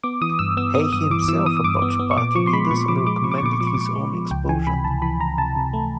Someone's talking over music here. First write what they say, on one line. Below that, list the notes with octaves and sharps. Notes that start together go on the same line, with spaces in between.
Hay himself approached Party leaders and recommended his own expulsion.
B3 D6
E3 D#6
G2 E6
B3 E6
B3 D#6
G2 D#6
E3 D6
E3 E6
E3 D#6
D#6
G2 D6
B3
B3
C#6
A#2 D6
F3 C#6
C6
G#3 B5
A#2 C#6
F3 D6
G#3 D6
F3 C#6
D6
C#6
A#2 D6
C#6
F3 D6
C#6
D6
A#2 C#6
G#3
F3
C#2 G5
E3 G#5
C3 B5
C#2 A5
E3 B5
C#2 A#5
C3 A5
C3
A3